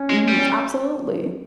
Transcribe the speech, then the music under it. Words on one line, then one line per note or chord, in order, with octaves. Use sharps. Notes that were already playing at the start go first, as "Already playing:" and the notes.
Mhm. Absolutely.
Already playing: C#4
G#3
G3